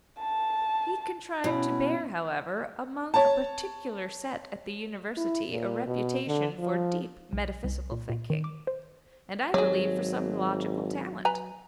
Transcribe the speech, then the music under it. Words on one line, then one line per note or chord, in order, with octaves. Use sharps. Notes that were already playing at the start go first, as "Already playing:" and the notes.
He contrived to bear, however, among a particular set at the university, a reputation for deep metaphysical thinking, and, I believe, for some logical talent.
A5
B2 C#4 E4
C#5 A5
E4
A#2
B2
D3
F3
B1
C2
A#2
A#2
D#3
D6
C5
G#1 F#3 G4 G#4 C#5
B4 G#5 A#5